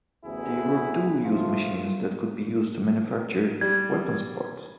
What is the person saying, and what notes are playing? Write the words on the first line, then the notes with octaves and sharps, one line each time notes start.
They were 'dual use' machines that could be used to manufacture weapons parts.
A1 D2 B3 E4 G#4
F3 A3 F4
G3 G#6